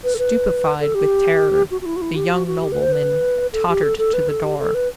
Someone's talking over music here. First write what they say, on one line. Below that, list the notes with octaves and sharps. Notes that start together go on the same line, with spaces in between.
Stupified with terror, the young nobleman tottered to the door.
B4
A4
B4
A4
G4
F#4
F#4
E4
F#4
E4
G4
F#4
F#4
G4
B4
C5
B4
A4
G4
A4
A4
B4
A4
G4
A4
B4